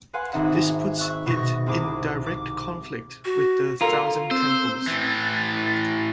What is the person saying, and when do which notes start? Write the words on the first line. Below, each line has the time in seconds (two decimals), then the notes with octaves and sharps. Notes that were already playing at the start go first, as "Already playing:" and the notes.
This puts it in direct conflict with the Thousand Temples.
0.13 B4 F5 F#5 G#5 C6
0.33 G#1 C4 D#4 E5 F#5
0.98 E5 C#6 E6 F#6
1.26 B2 C#6 A#6
1.66 C2 C4 E4 G#4 D6 D7
2.26 D6
3.25 F#4
3.81 F4 A4 A#4
4.31 C4 C5 E6
4.87 A2 E3 A6